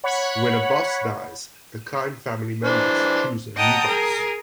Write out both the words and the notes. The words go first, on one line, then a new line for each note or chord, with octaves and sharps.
When a boss dies the crime family members choose a new boss.
C#5 F#5 B5
E3 D4 C5
D#5 F#5 G5 A5 A#5 D#6
G#4 A#4